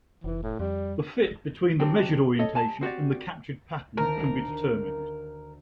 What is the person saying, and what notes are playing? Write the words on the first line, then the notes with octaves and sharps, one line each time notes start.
The 'fit' between the measured orientation and the captured pattern can be determined.
F1 E3
A2
F2 G3
F#3 C4 D4 G4
A4 C#5 D#5
C2 G#5 A5
C4 F#4 G4 D5
D2 D#3 A#4 A5